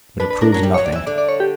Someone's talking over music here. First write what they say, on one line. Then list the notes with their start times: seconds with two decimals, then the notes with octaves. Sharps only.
But it proves nothing.
0.20 D4 B4
0.31 B4
0.41 D4 A#4
0.52 F#3 A#4
0.63 G3
0.74 C#5
0.78 F#3
0.86 D5
0.92 E3 E5
1.06 D3 D5
1.18 D5
1.29 C#5
1.40 G4